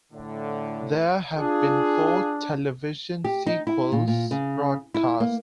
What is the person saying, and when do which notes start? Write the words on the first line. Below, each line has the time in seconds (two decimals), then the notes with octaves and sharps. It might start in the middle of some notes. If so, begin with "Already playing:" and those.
There have been four television sequels broadcast.
0.12 A2 D3
1.37 D4 F4 G#4
3.24 G4
3.46 D#4
3.67 E4
3.92 A#2
4.08 A#2
4.31 C#3
4.94 E4
5.20 A#3